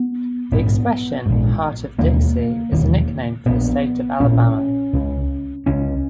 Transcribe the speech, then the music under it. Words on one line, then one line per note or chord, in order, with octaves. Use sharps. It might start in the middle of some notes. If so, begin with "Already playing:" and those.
The expression "Heart of Dixie" is a nickname for the state of Alabama.
Already playing: B3
A#1 G#2 B3
A#1 G#2
E1 D#2 C#3 A#3
E1 D#2 C#3
A#1 A#2 B3
A#1 A#2 C#4
C#2 C#3
C#2 C#3 C#4